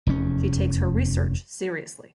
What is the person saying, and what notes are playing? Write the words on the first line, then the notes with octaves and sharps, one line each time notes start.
She takes her research seriously.
F1 E2 C#4